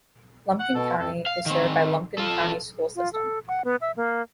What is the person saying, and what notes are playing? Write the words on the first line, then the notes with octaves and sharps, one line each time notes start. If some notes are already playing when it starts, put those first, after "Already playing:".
Lumpkin County is served by Lumpkin County School System.
F#5
B2 A4
F2 A4
F5
D#3 C4
F4 A4
F4
A4
F#5
B3
E5
A#3